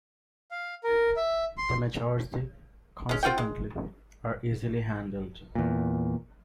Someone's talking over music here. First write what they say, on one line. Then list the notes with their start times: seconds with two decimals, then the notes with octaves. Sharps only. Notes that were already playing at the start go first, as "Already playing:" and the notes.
The majority, consequently, are easily handled.
0.51 F5
0.84 A#4
1.16 E5
1.58 C6
3.09 G#3 C#4
3.23 C4 F4 F#4 G5
3.38 G#3
5.55 E2 A#2